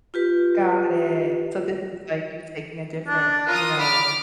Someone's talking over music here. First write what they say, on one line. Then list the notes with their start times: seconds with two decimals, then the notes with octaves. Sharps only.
Got it, so this is, like, you taking a different, you know,
0.14 F4 G4 B4
3.08 D4
3.48 F4 A#4 D#6
3.79 B5 D6 F6